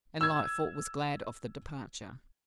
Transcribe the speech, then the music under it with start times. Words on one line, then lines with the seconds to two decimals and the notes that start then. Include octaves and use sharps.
And Lightfoot was glad of the departure.
0.21 E6 G#6